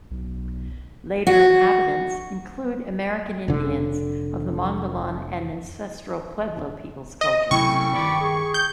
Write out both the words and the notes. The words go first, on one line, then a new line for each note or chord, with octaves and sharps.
Later inhabitants include American Indians of the Mogollon and Ancestral Pueblo peoples cultures.
B1
F#4
F1 D3
D#5
C3 F#3 A3 C4 C#4 E4 G5 C#6
G2 D#3 D5 B5 D6
G#4
G6